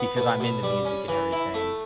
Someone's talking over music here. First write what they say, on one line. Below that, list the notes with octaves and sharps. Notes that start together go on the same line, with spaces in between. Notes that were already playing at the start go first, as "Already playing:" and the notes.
because I'm into music and everything,
Already playing: B3
B2
B2
G3
C#4
E3
E4
A3